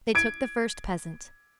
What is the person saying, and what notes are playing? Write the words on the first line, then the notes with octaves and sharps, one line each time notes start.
They took the first peasant.
G#6 D7